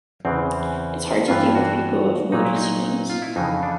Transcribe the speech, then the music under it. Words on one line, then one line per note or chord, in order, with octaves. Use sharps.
It’s hard to deal with people who have mood swings.
E2 C#3 E3 C4
G2 E3 F4
F#4
A#2 F#3 D#4
E4
D#4
F4
E4
F2 C#3 E3 D#4
D4